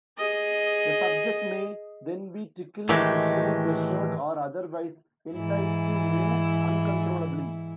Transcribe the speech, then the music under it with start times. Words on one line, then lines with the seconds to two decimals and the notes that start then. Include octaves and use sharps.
The subject may then be tickled, sexually pleasured or otherwise enticed to move uncontrollably.
0.18 G#4 D#5
2.89 A2 D#3 E3 G#3 G4
5.33 G#2 E3 E4